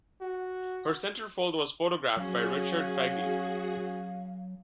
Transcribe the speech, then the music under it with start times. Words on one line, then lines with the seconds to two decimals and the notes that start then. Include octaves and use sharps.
Her centerfold was photographed by Richard Fegley.
0.21 F#4
2.17 F#3 C#4 F#4 G#4 F5